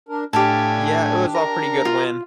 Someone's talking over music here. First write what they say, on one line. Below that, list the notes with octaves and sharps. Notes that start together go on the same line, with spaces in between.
Yeah, it was all pretty good when
D4 A#4
A2 D4 G4 F5 G#5 A5
A#4
F4